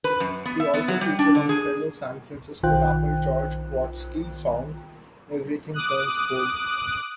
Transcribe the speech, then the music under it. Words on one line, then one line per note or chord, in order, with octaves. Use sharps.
He also featured on fellow San Francisco Rapper George Watsky's song Everything Turns Gold.
B4
F#2
B3
E5
B3
F#3
G3
D4
D3
G#4
B1 D#3 F4 C5 G5 F#6
D6 D#6 F#6